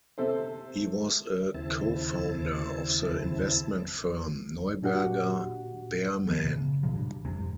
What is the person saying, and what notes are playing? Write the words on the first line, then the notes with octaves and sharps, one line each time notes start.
He was a co-founder of the investment firm Neuberger Berman.
C3 A4 C5
D#2 C#3 C4 E4 A5
A#2 D4 F#4 G4 F#5
D#3 F3 B3
C3
C#3
G#2 B2 F3 F#3
G2
F1 G#2 C3